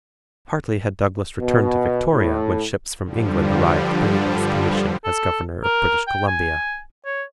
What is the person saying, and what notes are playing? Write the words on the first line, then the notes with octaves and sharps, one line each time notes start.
Hardly had Douglas returned to Victoria when ships from England arrived bringing his commission as governor of British Columbia.
B2
A2
G2 D3 F3 G3
A4
A#4
G5
G#5
C#5